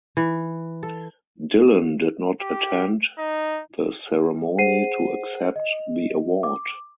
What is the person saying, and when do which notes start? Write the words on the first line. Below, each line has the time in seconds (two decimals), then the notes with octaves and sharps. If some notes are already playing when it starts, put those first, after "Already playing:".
Dylan did not attend the ceremony to accept the award.
0.17 E3
0.83 A4
2.41 G4
3.18 D#4
4.58 G#4 C5 F#5 C7 D#7
5.56 D#5
6.43 D6